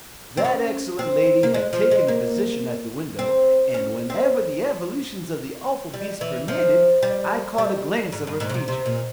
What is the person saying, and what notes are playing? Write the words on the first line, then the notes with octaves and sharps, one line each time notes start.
That excellent lady had taken a position at the window, and, whenever the evolutions of the awful beast permitted, I caught a glance of her features.
C4
C#4
C4
A#3
G#3
F3
G#3
A#3
C4
C#4
C4
G3
E3
F3
G3
G3
G#2
G2
G#2
C#3
C3
C3
A#2